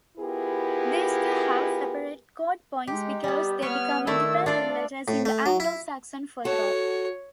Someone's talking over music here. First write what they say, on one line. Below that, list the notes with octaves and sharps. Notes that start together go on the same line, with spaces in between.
These two have separate codepoints because they become independent letters in the Anglo-Saxon futhorc.
B3 E4 F4 G4 G#4 A#4
G#3 D#4 G4
G3 B3 G4
B3 B4 C#5 F6
D#3 A3 D4 E4 E6
D4 F4 A4 D5
A2
A3
F#3
E4
F#4 A4 C#5